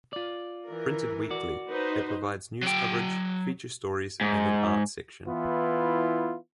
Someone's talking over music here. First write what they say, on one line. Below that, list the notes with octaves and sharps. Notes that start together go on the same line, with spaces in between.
Printed weekly, it provides news coverage, feature stories, and an art section.
F4 D5
E3 A#4
F#4 D5
D#4 B4 C5
F#3 G5
G#2
E3 B3 E4 F4